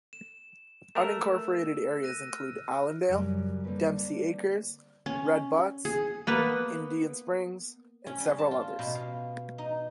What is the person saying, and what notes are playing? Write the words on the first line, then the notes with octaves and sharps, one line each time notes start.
Unincorporated areas include Allendale, Dempsey Acres, Red Buttes, Indian Springs, and several others.
E7
A3 A#4 E6 E7
F#6 A#6 D#7
F6
F#2 C#3 F#3 G3
D3 G3 A#3 C4 B4
C#4
G#4
A#3 B3 B4
C#4
G3
A5
F4
B2
F5
D#4